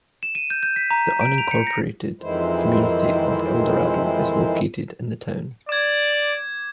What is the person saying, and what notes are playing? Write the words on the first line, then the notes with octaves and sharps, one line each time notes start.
The unincorporated community of Eldorado is located in the town.
E7
D#7
G6
G6
B6
A#5
D7
F7
C#7
A#6
F2 D#3 E3 G#3 E4 C5
D5 D6 G#6